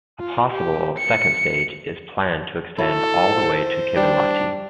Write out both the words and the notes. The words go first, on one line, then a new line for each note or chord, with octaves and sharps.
A possible second stage is planned to extend all the way to Kivenlahti.
F4
G4
C#7
E4 F#4 A4
C5
G3 D4